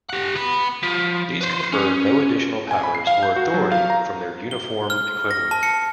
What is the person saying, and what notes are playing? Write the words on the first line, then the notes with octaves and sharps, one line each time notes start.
These confer no additional powers or authority from their uniform equivalents.
G4 F#5
B3 B5
F3
B4 C5
C#4
G#5
B5
C7
F5
G6
F#4
F#3
F5
A#5
G7
F6
A#6
A5
C#7